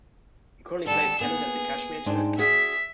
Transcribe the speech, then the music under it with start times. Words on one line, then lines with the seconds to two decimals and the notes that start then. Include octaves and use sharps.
He currently plays tennis at the Cashmere Tennis Club.
0.87 D3 G3 A4 E7
1.20 A#3 B3 G#4
2.06 G#2 C4 D4
2.38 F#4 G#4 E5 B6